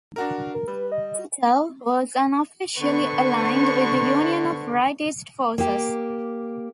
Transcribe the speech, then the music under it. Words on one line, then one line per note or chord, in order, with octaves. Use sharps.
Titov was unofficially aligned with the Union of Rightist Forces.
D4 F#4 A#4
A#4
G3 B4
D#5
D3 B3 C5 C#6
A#3 G4